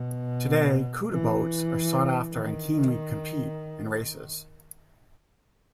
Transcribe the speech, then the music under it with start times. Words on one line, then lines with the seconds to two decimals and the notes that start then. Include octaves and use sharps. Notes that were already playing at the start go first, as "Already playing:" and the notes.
Today, couta boats are sought-after and keenly compete in races.
Already playing: B2
1.12 E3
2.34 D#3